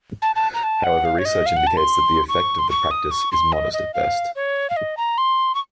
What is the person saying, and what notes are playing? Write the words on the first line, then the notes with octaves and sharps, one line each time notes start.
However, research indicates that the effect of the practice is modest at best.
A5
A5
A#5
A5
F#5
F5
C#5
D#5
F5
F#5
A5
C6
C#6
C6
C#6
D#6
C#6
C6
D#5
D#5
F5
C#5
F5
D#5
A#5
C6
C#6